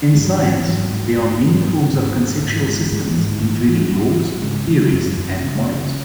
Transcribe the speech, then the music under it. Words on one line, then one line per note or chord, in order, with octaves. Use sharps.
In science, there are many forms of conceptual systems including laws, theories, and models.
G#3
G#2 F#3
E3
G#2
E3
G#2 F#3
G#2
G#2
G#2 A#3
B3
G#2
C#4
G#2
B3
G#2
G#2
G#2
G#2 G#3
E3
G#2
D#3
G#2 E3
D#3
G#2 E3
G#2
G#3
G#2
C#3 G#3
C#3
F#2
F#2
C#3
C#3